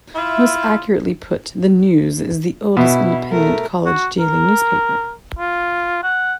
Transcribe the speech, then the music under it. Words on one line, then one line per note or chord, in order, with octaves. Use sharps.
Most accurately put, the "News" is the oldest independent college daily newspaper.
E4 F4 E5
B2 E4
A3 A#4
F#4
A#4
F4
F#5